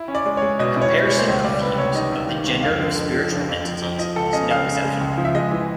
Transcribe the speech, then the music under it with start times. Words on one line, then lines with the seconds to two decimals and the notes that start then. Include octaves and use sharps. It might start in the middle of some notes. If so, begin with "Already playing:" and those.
Comparison of views of the gender of spiritual entities is no exception.
Already playing: E4
0.08 C#4
0.15 D5
0.25 G#3
0.37 C#5
0.42 G#3
0.59 B2 D#5
0.76 E4
0.81 C#5
0.94 E4
1.05 C#5
1.10 G#3
1.19 C5
1.28 C#2 C#5
1.44 G3 D5
1.61 C3 B4
1.78 C3 C#5
1.95 D#3 D#5
2.12 C3
2.29 D#3
2.47 C#2
2.63 F2 F5
2.80 D3
2.98 F2
3.14 F3
3.32 F3
3.48 F2
3.65 F2
3.82 F2
3.99 F3 D#5
4.16 C#2 A4
4.33 C#3 D#5
4.51 C#2 F5
4.67 C#3
4.84 G#3
5.01 C#2
5.18 F3
5.25 E5
5.35 G#3 D#5
5.51 E3